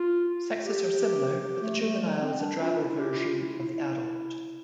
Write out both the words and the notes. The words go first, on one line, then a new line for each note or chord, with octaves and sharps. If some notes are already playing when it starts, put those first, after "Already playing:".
Sexes are similar, but the juvenile is a drabber version of the adult.
Already playing: F4
G4
G4
A3
A3
G3
C4
D4
F4
E4
G4
F4
E4
E4